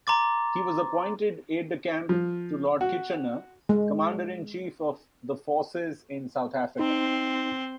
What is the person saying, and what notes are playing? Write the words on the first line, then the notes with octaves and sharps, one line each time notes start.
He was appointed Aide-de-camp to Lord Kitchener, Commander-in-Chief of the Forces in South Africa.
A#5 C6 D6 A6
F3
F#4
G#3
C4 D#4